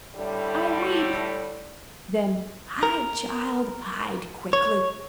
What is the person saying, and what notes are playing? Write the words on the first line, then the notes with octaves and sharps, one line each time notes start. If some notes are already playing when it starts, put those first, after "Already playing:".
I weep!" Then: "Hide, child, hide quickly!
A2 D3 G3
A#4
C#5